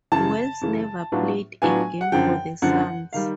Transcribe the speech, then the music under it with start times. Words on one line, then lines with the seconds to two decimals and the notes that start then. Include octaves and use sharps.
Wells never played a game for the Suns.
0.12 F#2 C#3 E3 A5
0.61 F#2 C#3 E3
1.12 A2 F#3 B3 D4 F4
1.62 A2 F#3 B3 D4 F4 G#5
2.01 F#5
2.12 F#2 D3 F3 G5
2.62 F#2 D3 F3 F#5
3.13 D#3 G3 F5